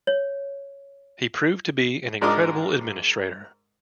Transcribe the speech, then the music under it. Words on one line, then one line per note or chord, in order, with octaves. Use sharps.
He proved to be an incredible administrator.
C#5
G#2 G#3 D4 A#4 D#5 D6